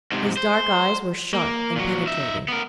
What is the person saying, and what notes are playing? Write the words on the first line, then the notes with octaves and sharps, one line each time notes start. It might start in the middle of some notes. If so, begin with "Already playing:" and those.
His dark eyes were sharp and penetrating.
G#2 C3
C5
A#3
A#2 F#3
D#4 E5
B3 A#4